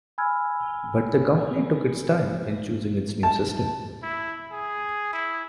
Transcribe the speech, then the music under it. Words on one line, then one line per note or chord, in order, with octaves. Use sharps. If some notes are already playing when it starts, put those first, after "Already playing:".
But the company took its time in choosing its new system.
G#5 B5 E6 F6 G#6
A5
E4
G#4
E4